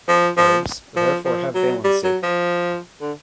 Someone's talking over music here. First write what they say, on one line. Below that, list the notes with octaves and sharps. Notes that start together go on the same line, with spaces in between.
Verbs therefore have valency.
F3
F3
F3
F3
F#3
G3
F#3
F3
D3